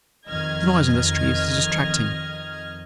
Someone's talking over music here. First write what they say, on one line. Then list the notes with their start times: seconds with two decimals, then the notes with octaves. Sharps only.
The noise in the streets is distracting.
0.28 F2 D#3 D#5 F6 G#6